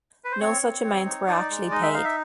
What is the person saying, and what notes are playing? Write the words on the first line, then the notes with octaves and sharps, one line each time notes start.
No such amounts were actually paid.
B4
C5
C4 C#5
C4
C4
D#4
D#4 D5
G#3
D#4 D#5
E5
D#4 F5
E5